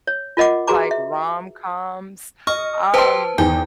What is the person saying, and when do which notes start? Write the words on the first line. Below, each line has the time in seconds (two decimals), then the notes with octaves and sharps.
Like rom-coms? Um,
0.07 C#5
0.37 F4 A#4 D#5 F#5 D6
0.67 F#4 G#4 B4 A#5 D6
0.91 E5
2.47 D#5 C#6 F6
2.94 G4 B4 C5 A5 C6
3.38 E2 D#3 G5 G#5